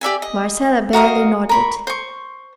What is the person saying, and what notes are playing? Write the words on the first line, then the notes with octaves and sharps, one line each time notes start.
Marcella barely nodded.
G4 D5 E5 G#5
D#5
F#4 A#4 D#5 F5
A#4 B5 C#6
C5 C#6